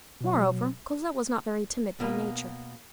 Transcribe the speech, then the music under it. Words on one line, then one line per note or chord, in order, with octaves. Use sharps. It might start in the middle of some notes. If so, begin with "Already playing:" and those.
Moreover, Cosette was not very timid by nature.
B2 F#3
B2 A#3